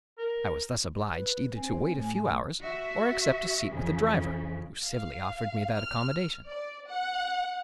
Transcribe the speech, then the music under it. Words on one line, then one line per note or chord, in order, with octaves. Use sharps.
I was thus obliged either to wait a few hours or accept a seat with the driver, who civilly offered me that accommodation.
A#4
B4
C4 G#5
A2
F#4 E5
F2 C#3 E3
F5
F6
D5
F#5